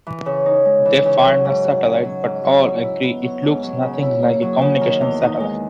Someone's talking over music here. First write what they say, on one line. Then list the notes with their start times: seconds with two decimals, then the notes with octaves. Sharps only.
They find the satellite but all agree it looks nothing like a communication satellite.
0.07 E3
0.26 C#3
0.46 D#4
0.65 G#3
0.86 E3
1.05 C#3
1.25 F#3
1.45 G#2
1.64 F#4
1.84 C#4
2.05 F#3
2.24 G#2
2.44 F#3
2.63 G#2
2.84 E4
3.03 B3
3.23 F#3
3.43 G#2
3.63 F#3
3.82 C#3
4.03 E4
4.22 A#3
4.42 F#3
4.62 C#3
4.81 D#3
5.01 E2
5.21 D#4
5.40 G#3